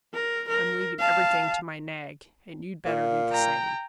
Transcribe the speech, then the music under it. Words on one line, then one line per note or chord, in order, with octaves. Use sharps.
"I'm leaving everything to my nag, and you'd better do the same."
A#4
A#4
F5 A5
A#2 F5
G5 A#5